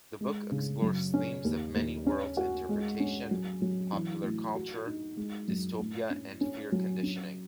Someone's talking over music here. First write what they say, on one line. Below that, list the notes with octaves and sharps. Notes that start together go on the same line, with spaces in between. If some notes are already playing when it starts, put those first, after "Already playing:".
The book explores themes of Many-worlds interpretation, Popular culture, Dystopia and Fear conditioning.
G#3
C#3
F#2
C#4
D#2
D#2
C#4
F#4
G#3
C#4
F#3
F#3
E3
A2
F#4
D#4
G#3
F#2
A2
C#4
C#4
F#3
C#4